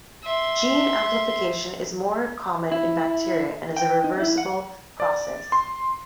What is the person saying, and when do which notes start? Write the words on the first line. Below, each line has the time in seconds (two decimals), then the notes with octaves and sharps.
Gene amplification is more common in bacteria and is a reversible process.
0.23 E5 C6
2.72 E4
3.77 G5
4.04 D#4
4.20 E4
4.38 F#5
5.00 D5
5.52 C6